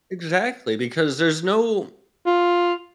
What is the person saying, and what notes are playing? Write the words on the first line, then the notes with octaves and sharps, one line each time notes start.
Exactly, because there's no
F4